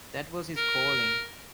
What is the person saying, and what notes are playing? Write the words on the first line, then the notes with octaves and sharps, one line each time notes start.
That was his calling.
A#4